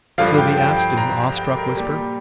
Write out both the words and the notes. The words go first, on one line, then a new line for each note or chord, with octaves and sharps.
Sylvie asked in an awestruck whisper.
G2 D3 F3 F5
G5
G5
G5
A#5
G5
A#4
A#2 G3 G4